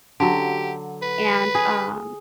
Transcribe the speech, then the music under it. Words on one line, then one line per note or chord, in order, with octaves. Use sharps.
and, um,
D3 F#3 G4
B4
G#4